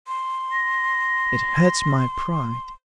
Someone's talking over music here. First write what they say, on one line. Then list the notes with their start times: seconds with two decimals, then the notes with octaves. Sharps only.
It hurts my pride.
0.07 C6
0.52 A#6